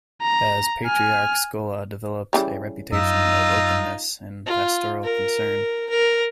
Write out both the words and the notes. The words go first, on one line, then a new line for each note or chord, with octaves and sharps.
As patriarch Scola developed a reputation of openness and pastoral concern.
A#5
G#5 F6
C#3 E3 G3
F#2 D#4 F4 E6
F4
A#4
A#4